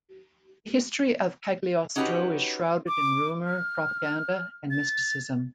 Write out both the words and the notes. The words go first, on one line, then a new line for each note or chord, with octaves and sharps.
The history of Cagliostro is shrouded in rumour, propaganda, and mysticism.
C#4 D#4 F#4 G4 B4 C#5
D6
F6
A6